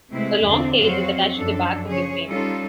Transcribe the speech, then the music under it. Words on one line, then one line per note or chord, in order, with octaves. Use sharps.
A long tail is attached to the back of the frame.
C3 G#3 A3 C4 E4 B4
E2 G2 D3 C4
F2 F#3 C4 F#4 C#5 F5
F#2 F3 D4 A4
C#3 F3 G#4 C#5
G3 C#4 D#4 F4 A4